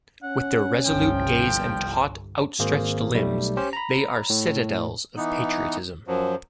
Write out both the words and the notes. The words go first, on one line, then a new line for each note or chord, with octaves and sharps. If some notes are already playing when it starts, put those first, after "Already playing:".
With their resolute gaze and taut, outstretched limbs, they are citadels of patriotism.
C#4 F#5
G1 C2 F3 G5
G#1 A#3 G#4 C5
B1 G3 A3
C#4 G4 C5
A#5 B5
A2
E3 B3 D#4
F#2 F3 F#3